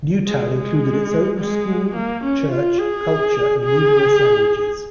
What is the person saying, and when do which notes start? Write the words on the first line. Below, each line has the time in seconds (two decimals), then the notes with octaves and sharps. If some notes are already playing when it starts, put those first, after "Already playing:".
New Town included its own school, church, culture and numerous languages.
0.26 G#3
0.54 G#3
1.39 G#3
1.96 A#3
2.23 C#4
2.51 F4
2.79 G#4
3.64 G#4